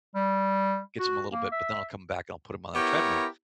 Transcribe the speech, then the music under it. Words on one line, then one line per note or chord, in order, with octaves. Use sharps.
Gets them a little bit but then I'll come back and I'll put 'em on a treadmill,
G3
F#4
A#3
E5
B3 E4 G4 A#4 C#5